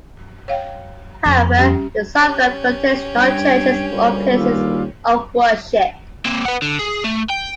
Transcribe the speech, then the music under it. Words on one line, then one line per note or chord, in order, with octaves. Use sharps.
However, the suburb contains no churches or places of worship.
C#5 F5 G5
F2
G3 C#4 G4
C#4 G4
G2 G5 G#6
D2 A#2 G3 C5
D#2 F4 D6 E6
A#3 C4
B4 F#5
D3
G#4
A3
G5